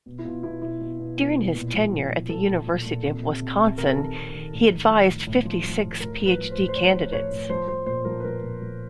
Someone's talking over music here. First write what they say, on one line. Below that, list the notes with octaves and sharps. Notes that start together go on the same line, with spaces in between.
During his tenure at the University of Wisconsin, he advised fifty six Ph.D. candidates.
B2
E4
B2 F4
B2 E4
B2 E4
B2
B2
B2
B2
A#2
F3
F3
F3
F3 A4
A#2
A#2
A#2
C3
C3
C3
C3
C3 A#4
A4
D#3 A#4
C3
D#3
A2
A2
F3
A2
A2
F3
F3
A2
A2 A#4
A2
B4
F3
C5
A2
C5
A2 C#5
F3
A2 C#5
A2
F3 C5
F3 C5
A#2 C5
F3 A#4
B4
F3 A#4
A#2
F3